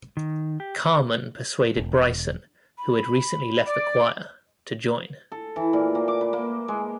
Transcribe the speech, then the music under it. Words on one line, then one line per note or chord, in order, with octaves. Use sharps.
Carmen persuaded Bryson, who had recently left The Choir, to join.
D#3
G4
E1
B5
D5
A4
E3
A#2
A#3
D6
B4
A#3
G#3